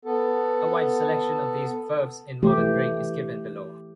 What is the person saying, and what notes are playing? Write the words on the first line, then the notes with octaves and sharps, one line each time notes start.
A wide selection of these verbs in Modern Greek is given below.
B3 A4
E3 A3 G4